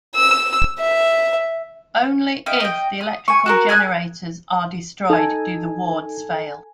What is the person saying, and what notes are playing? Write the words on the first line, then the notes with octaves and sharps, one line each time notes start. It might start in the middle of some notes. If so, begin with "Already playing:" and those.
Only if the electrical generators are destroyed do the wards fail.
E6
E5
D#4 E4 F5 G5
D#5 G5
D#6
G#5 C#6
F#4 G4 A#4
G#4 G#5 F6 F#6
D#4 A4 G#5